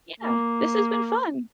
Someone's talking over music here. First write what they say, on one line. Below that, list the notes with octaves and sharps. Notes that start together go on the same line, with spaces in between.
Yeah, this has been fun.
A#3